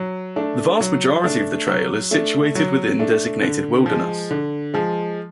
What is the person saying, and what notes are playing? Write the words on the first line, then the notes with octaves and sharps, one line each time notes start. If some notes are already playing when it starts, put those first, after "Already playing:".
The vast majority of the trail is situated within designated wilderness.
Already playing: F#3
A3 D4
F#3
A3 D4
F#3
A3 D4
F#3
A3 D4
D3
F3 G#3
D3
F3 G#3